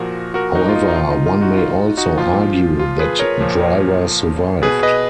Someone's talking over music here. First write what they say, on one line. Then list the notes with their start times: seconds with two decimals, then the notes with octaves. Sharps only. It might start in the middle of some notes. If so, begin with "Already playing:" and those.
However, one may also argue that Driver survived.
Already playing: A#2 F3 F#4 A#4
0.34 F#4 A#4
0.55 D#4 F#4
0.69 F4
0.76 D#4
0.88 D#4
0.96 B2 F4
1.11 D#4
1.26 F4
1.41 D#4 F#4
1.57 F4
1.77 F4
1.97 D#4 F#4
2.18 A#2 F3 F4
2.79 F4
2.99 G#4 B4
3.19 A#4 C#5
3.40 A#2 F3
4.62 B2 G#4 B4
4.83 B4 D#5